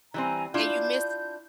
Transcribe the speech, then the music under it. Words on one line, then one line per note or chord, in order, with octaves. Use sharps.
and you miss
E3 G3 C4 G#5 A#5
D4 E4 F4 G6